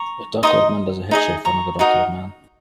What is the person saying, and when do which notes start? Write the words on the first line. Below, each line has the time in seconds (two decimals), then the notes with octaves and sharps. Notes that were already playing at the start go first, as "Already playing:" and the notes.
A dark colored man does a head shave for another dark colored man.
Already playing: A#5 C#6
0.43 D#4 A#4 D#5 C6 D#6
1.11 D#4 G#4 D#5
1.45 A#5 C#6
1.79 D#4 F#4 A#4 D#5